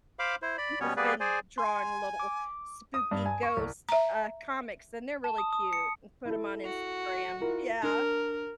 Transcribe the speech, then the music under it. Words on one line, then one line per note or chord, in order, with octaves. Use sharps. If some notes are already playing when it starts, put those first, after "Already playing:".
has been drawing little spooky ghost, uh, comics, and they're really cute and put 'em on Instagram yeah,
C5 F5 B5 D6
E4 C5
D5 B5
B2 G3 B3 C#4 C#5
G3 A#3 B3 G#4 B4 D5
G#4 C5 D5 G#5
G#5 C6
D6
D#6
G2
G#5
C#6
C2
E5 A#5
A5
D#6
D#6
C#7
E4 A4
F#4
E4 F4 A#4
D4 A#4